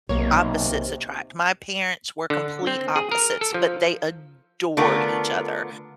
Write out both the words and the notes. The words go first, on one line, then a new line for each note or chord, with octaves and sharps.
opposites attract. My parents were complete opposites, but they adored each other.
B1 C3 D#3 A#3 A#4 C#5
D3
C4
G#4
A#4
A4
F3
D3 A3 B3 F4 A#4